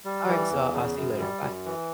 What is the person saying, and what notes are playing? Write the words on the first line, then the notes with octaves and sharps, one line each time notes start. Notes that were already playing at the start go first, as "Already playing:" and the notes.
all right, so I'll see you later, bye.
G3
E3
E2
C#3
F#2
G3
F#2
E3